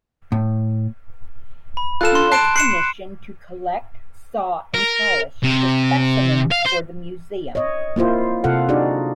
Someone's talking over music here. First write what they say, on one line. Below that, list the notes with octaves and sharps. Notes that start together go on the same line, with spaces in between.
He was commissioned to collect, saw, and polish the specimens for the museum.
A2
B5
F4 A4 F#6 E7
C6
A5 F#6 C7 D7 E7
F#6 C7 C#7 E7
A#4
C3
F5
C5
C#5 D#5
A#3 E4 F4 C5
C3 F4 A4 F5 F#5
D4 D#4 F#4 G#4 D5